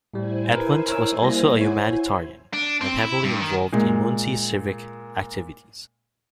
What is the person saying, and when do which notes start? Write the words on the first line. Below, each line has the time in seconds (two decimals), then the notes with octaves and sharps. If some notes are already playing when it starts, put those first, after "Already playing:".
Edmund was also a humanitarian and heavily involved in Muncie's civic activities.
0.14 A2 G3 E4 C5 G#5
0.51 A#4 B4
0.88 A#4 C#5 E6
1.21 G3 A#3 A#6
1.61 C#5 F#5
2.53 D4
2.81 C4
2.99 E4
3.24 G2
3.41 D#3
3.72 A#2 G#3